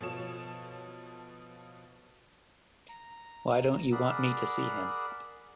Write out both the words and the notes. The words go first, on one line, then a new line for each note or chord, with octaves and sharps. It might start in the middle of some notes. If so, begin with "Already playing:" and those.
Why don't you want me to see him?
B2 F3 A4 C#5 E7
A#5
G#4 A#4 D5 F#5 B5 E6